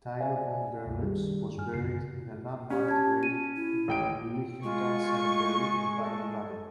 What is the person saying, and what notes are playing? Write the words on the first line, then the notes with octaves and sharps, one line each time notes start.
Tilo von Berlepsch was buried in an unmarked grave in Lichtental cemetery, in Baden-Baden.
C5 D5 E5 F5 G#5
C2 F#2 B2
D#3 G3 D4 G4 G#4
G2 G#5 F6
A#1 F#2 C#3 C7
C#4 G4
A5 G#6
D#7
E4
A1 G5 D7
G#3 F4 C#6
A4